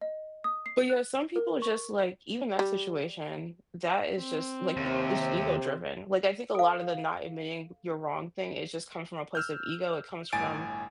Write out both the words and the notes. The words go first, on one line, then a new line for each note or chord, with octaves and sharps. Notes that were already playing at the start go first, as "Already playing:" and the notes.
but yeah, some people are just like even that situation, that is just like, it's ego-driven. Like, I think a lotta the not admitting you're wrong thing, it just comes from a place of ego, it comes from
D#5
D#6
C7
F#6
A#4
C#6
G3
C4
D#2 C3
A4 F5
E6 F6 G6
G1 A2 G#5 A6 D7